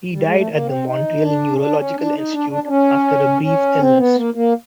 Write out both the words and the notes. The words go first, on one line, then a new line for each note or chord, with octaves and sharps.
He died at the Montreal Neurological Institute after a brief illness.
G3
G#3
A3
A#3
C4
D#4
D4
C#4
D4
C#4
D4
D#4
D4
D4
D4
C#4
C#4
C4
B3
A#3
A#3